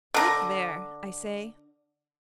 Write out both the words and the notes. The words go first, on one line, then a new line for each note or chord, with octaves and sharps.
"Look there!" I say.
D3 A#5